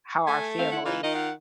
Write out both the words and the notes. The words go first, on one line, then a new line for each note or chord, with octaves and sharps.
how our family
A3 G#5
C4 F5
E4 F#5
E3 D#4 F4
D#3 F4 D#5
F4 F#5